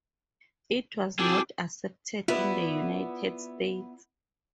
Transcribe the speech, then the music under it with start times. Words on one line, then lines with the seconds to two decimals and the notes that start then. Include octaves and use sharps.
It was not accepted in the United States.
1.19 C4 E4 F#4 G#4 A4 G5 D6
2.28 B3 E4 F4 B4 D5